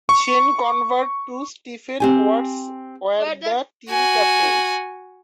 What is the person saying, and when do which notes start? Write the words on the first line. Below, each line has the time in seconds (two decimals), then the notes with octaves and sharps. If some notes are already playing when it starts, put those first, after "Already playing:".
Sean Conover and Stephen Watts were the team captains.
0.09 C#6
2.00 C4 G4 G#5
3.89 F#4 G#5